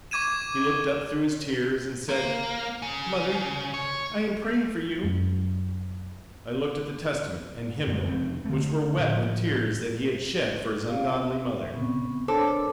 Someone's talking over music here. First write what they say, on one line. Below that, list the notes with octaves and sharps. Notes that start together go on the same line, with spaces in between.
He looked up through his tears and said, "Mother, I am praying for you." I looked at the Testament and hymnal which were wet with tears that he had shed for his ungodly mother.
C#6 D6 G#6 D#7 E7
A#3
C#3
C#5
F#2
F#2 G#3
F1 C#3 C4
D3 A3
A2 F3
F4 G4 F5
E5
A#2 C#3 B3 C4 C#6
D4 A4 A#4 C5 C#5 D6